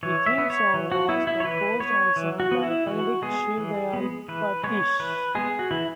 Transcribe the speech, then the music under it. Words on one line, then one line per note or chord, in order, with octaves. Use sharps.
The theme song was composed and sung by Pandit Shiv Dayal Batish.
E3 C#5
E5
B3
C#5
E3
F#4
B3 E4
E4
C#5
E3 B4
B3 C#5
E3
F#4
B3
E4
E3 F#4
G#3 B3 G#4
E3
G#3 B3
E3 B4
G#3 B3 C#5
E3 B4
G#3 B3 G#4
F#4
E3 E4